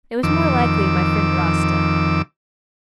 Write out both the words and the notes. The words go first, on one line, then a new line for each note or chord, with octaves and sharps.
It was more likely my friend Rasta.
F2 D#3 D6 E6